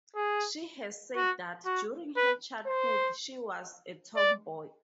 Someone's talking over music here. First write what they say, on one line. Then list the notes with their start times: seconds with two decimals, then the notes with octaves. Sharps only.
She has said that, during her childhood, she was a tomboy.
0.16 G#4
1.16 F#4
1.66 F#4
2.16 B4
2.66 C5
4.16 D5